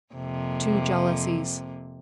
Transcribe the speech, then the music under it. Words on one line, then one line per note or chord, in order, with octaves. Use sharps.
Two Jealousies.
F2 C3 A#3